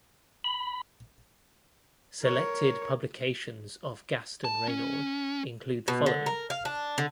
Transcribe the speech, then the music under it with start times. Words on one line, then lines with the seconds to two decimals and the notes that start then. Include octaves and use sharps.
Selected publications of Gaston Raynaud include the following.
0.44 B5
2.22 A#4 C#5
4.45 A5
4.68 C#4
5.88 B2
6.06 D3
6.26 A#4
6.50 F5
6.65 D4
6.98 D3